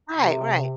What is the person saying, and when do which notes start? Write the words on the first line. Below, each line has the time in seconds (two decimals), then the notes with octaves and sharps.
Right, right.
0.16 C3